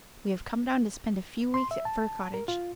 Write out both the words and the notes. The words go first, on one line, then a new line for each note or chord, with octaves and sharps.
We have come down to spend a few weeks at Fir Cottage.
C6
E5
A5
A#4
F4